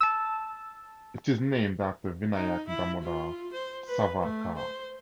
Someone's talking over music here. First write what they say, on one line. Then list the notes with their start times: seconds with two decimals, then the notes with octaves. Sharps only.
It is named after Vinayak Damodar Savarkar.
0.01 A5 E6
2.34 D#4
2.68 E4
3.03 F4
3.53 C5
3.88 B4
4.23 A3
4.58 C5